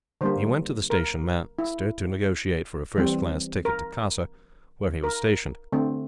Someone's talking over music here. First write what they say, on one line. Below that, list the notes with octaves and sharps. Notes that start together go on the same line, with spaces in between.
He went to the Station-Master to negotiate for a first-class ticket to Khasa, where he was stationed.
D3 G3 A#3 C5
A#4
E4
E3 G3 C4
A#4
A#4
D3 A3 C4